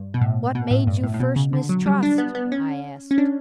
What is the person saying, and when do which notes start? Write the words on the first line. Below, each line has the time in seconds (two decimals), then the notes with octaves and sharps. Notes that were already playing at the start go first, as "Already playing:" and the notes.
"What made you first mistrust?" I asked.
Already playing: G2
0.14 B2
0.21 A2
0.55 B2
0.71 A2
0.87 G2
1.03 A2
1.14 A2
1.20 B2
1.36 C#3
1.53 D3
1.69 F#3
1.86 G3
2.03 D4
2.18 B3
2.35 B3
2.52 C#4
3.11 C#4
3.18 D4